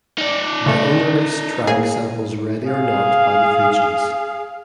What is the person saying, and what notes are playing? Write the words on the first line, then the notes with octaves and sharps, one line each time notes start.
The unreleased track samples "Ready or Not" by the Fugees.
D#4 D5
C#3 A3
A2 A#3 G#4
G#4 F5